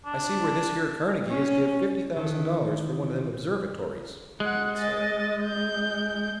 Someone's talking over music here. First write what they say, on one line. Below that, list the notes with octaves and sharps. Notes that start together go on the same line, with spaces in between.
"I see where this here Carnegie has give fifty thousand dollars for one of them observatories," he would say.
D4
C#4
D#3 E3 A4
G#3 F#5 F#6
D#5 A6
G6